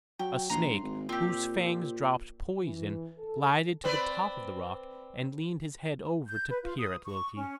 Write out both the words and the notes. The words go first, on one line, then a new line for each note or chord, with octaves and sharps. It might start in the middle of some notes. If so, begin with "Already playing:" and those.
A snake, whose fangs dropped poison, glided to the top of the rock and leaned his head over to peer at Loki.
F#3 G5
A#1 A#5 C6
G2
G#1
A#2 C4 G4
E3
A4
C4 B4 D5
G6
B4
F4
D#6
C#6
C#4